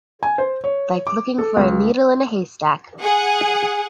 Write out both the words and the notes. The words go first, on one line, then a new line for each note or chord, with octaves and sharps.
Like looking for a needle in a haystack.
G#5
C5
C#5
D6
A4
C#2
G#4 F#5